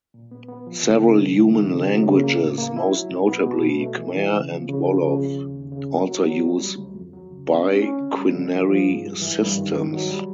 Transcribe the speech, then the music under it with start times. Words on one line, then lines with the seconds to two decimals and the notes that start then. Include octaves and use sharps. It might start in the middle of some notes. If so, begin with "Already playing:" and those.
Several human languages, most notably Khmer and Wolof, also use biquinary systems.
0.14 A#2
0.31 B3
0.48 B3
0.67 F3
0.83 C#3
1.02 C#3
1.19 D#3
1.36 G2
1.54 D#3
1.71 C#3
1.89 F#3
2.06 C#3
2.24 A#3
2.40 A2
2.58 A#3
2.77 E4
2.93 F#3
3.10 B2
3.28 B3
3.46 B2
3.64 B2
3.80 A3
3.98 E3
4.16 E3
4.33 C#3
4.51 F3
4.69 C#3
4.85 F3
5.03 C#3
5.20 C#3
5.38 D#2
5.56 D#2
5.72 C#3
5.91 F#3
6.07 F#3
6.26 F#3
6.42 D2
6.60 G3
6.77 D2
6.95 F2
7.13 F#3
7.31 C#3
7.48 C#4
7.65 C#4
7.82 C#4
8.00 D3
8.17 G3
8.35 D3
8.52 F3
8.70 F3
8.88 G#2
9.06 G2
9.22 E3
9.40 G2
9.57 D#3
9.75 D#3
9.93 F#3
10.10 G3